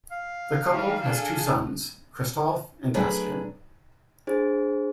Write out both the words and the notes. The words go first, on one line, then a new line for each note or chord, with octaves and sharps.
The couple has two sons, Christoph and Bastian.
F5
E3 G3 D#4
D4 G#4 A4
F#3 A3 D4 G#4 B4 D5
D4 G#4 C5